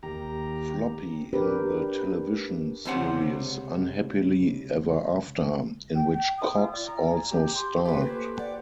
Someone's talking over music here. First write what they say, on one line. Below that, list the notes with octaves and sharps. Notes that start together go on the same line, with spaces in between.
Floppy in the television series "Unhappily Ever After" in which Cox also starred.
D#2 G4 A#5
D4 G4 A#4 B4
C#2 C3 C5 F#5
G5
G5
D#6
F4
D5
A#5
G#5
G4
C6
A3 A#3 F4 G4 B4
C5 G#5
G4 D5 F#5